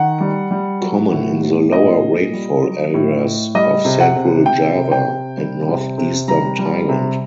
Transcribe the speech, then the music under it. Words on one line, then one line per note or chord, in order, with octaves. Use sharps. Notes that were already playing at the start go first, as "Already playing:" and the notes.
Common in the lower rainfall areas of central Jawa and northeastern Thailand.
Already playing: D#3 F#5
G3
G3
F#3
A2
A2
A#2 D#5
A#2
G3
F#3
A2
A2
G3 D#5
C3
F#5
C3
C3 G5
C3
G5
C3
G3
C3
C3
G3 A#5
G3
C3